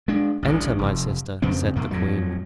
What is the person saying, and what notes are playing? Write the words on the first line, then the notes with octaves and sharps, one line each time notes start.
"Enter, my sister," said the queen.
G#3 D4
A1 D2 G2
F1
F2 C#3 B3 C4
C2 G2 A#3
F2 A2 F#3